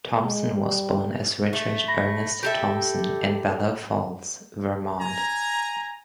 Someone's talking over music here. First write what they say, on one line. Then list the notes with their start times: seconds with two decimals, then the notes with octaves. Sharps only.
Thompson was born as Richard Ernest Thompson in Bellows Falls, Vermont.
0.24 G#3
0.54 G3
1.53 A3
1.88 B5 A#6
2.43 G4 A4 E5
5.00 G#5 A#5